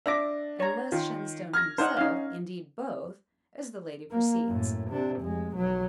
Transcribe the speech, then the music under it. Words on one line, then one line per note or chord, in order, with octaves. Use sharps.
And less Shenstone himself--indeed both--as the lady proceeds.
D4 E5 D6 A#6
C#5 A#5
D#3 F4
F6 G#6 A#6
D4 D#4 C5 F#5
C#4 D#4 F5
A#3
F#2 A2
C3 D4
F1 G#3
B1 F#3